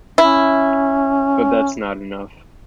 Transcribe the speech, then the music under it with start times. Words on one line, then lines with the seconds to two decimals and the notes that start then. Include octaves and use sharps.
But that's not enough.
0.18 C#4 E4